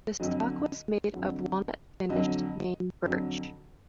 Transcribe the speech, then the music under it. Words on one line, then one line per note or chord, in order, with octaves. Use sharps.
The stock was made of walnut-finished Maine birch.
F2 D3 F#3 D#5
F2 D3 F#3
F2 D3 F#3 D#5
F2 D3 F#3